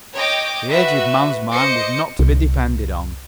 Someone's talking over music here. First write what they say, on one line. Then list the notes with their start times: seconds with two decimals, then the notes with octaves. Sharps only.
The aged man's mind was not to be depended on.
0.15 C#5 D#5 G5 D6
0.71 F#4 B4 E5
1.52 C5 D#5 D6 C#7
2.19 C2